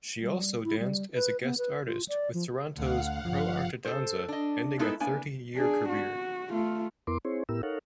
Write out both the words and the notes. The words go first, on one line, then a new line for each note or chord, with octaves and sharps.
She also danced as a guest artist with Toronto's ProArteDanza ending a thirty-year career.
G3
E4
G3
B4
B3
B4
F4
D5
F3
D2 F5 F#5
G1 F3
A4 C5
D4 D#5
G#3 B3 D#4 E4 A4 A#4
A#3 B3 D4 G#5
D4 G#4
F#4
A3 F4
F2 B3 E4 A#4 C6 D6
C4 E4 G#4 C5 C#5
A2 B3 E4 G4 A#4 E6
D#4 A4 A#4 C#5 F5 F#5